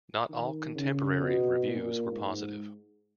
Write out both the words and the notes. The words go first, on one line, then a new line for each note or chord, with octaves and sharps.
Not all contemporary reviews were positive.
D#3
C#3
B2
A#2
G#2